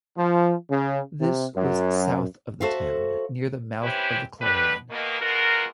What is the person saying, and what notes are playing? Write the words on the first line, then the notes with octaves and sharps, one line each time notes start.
This was south of the town near the mouth of the Clarion.
F3
C#3
C3
F#2
F#4 A4 C5 E5 F5
E3 C4 C#4 E4 G4 B4
B2 G3 A3 G4 B4
B2 D#3 A#3
B2 G#3 F4 F#4 A#4